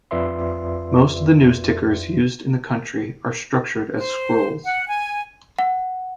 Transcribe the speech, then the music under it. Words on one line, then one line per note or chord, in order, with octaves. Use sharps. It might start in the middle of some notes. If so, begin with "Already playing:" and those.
Most of the news tickers used in the country are structured as scrolls.
F2 F4 B4 D5 E5 C6
C5
F#5
G#5
F#5